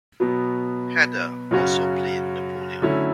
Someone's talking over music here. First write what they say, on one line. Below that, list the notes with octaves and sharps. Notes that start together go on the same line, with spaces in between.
Heder also played Napoleon.
B2 F#3 B3
F#2 C#3 F#3 C#4 F#4
D3 F#3 A3 C#4 E4